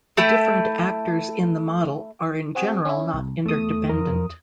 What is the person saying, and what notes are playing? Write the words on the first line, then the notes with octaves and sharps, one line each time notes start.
The different actors in the model are in general not interdependent.
A3 E4 G5
C4 F#4 G#4
C#4 E4
C2
E2 A3 D#6
F2 A#4